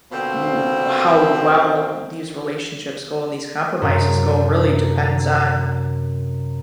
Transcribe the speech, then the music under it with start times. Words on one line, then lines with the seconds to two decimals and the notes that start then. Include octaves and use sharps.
w w how well these relationships go and these compromises go really depends on
0.12 B2 D3 F3 A#3 C4
3.82 F#2 C3